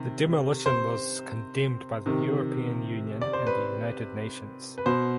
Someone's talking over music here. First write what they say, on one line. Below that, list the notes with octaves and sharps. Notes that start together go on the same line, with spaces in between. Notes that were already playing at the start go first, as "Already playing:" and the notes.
The demolition was condemned by the European Union and the United Nations.
Already playing: C3 D#3
C5
C3 D#3
D5
C5
B4
B4
B2 C5